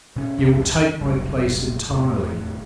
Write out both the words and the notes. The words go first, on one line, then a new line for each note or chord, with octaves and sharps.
You will take my place entirely.
B2 C#4
G1 C2 F2
F1 B1 G2
E1 D2 A2